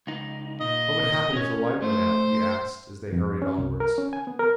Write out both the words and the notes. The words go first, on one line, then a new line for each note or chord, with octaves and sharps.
"What would happen if the light went out?" he asked, as they hurried onwards.
C#2 D#4
A#2 D#5
C#4 C#5
A3 C5
F2
C#4
C2
A#4
C#4
G#5
B3
A#4